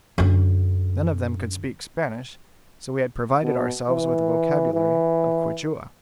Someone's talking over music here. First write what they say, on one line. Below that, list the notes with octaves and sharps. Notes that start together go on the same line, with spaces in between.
None of them could speak Spanish, so we had provided ourselves with a vocabulary of Quichua.
F#2 D3
B2
E3
E3